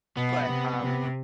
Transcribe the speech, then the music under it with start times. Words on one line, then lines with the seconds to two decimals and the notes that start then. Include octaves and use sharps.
But, um,
0.17 B2 B3
0.49 C3
0.83 C3